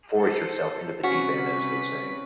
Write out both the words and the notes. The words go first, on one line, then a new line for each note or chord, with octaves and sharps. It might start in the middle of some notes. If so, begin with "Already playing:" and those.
force yourself into the deep end, as they say.
A4 C5
C3 G3 C#4 F#4 B4 B6